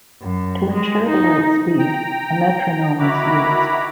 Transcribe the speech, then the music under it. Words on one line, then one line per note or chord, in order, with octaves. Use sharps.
To ensure the right speed, a metronome is used.
F#2
G#3
D#4
G5 A#5
D#3 E4 F#4 A#5 B5 D6